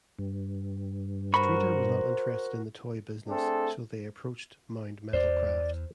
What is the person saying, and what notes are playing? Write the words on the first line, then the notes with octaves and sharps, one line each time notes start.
Streater was not interested in the toy business so they approached Mound Metalcraft.
G2
F#4 A#4 C5 B5 C#6
A3 C4 D4 G#4 A4
E2 C5 D5